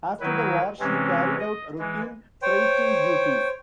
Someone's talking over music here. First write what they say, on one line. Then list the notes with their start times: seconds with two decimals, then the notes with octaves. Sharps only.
After the war she carried out routine freighting duties.
0.20 D#3 F#3 E4 B4
0.80 C3 E3 G#3 C4 C#4
1.39 D#5
1.79 E3 G#3
2.42 C5 C#5 G5